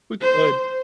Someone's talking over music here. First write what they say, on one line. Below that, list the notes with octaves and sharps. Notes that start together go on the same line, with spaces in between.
We could.
C5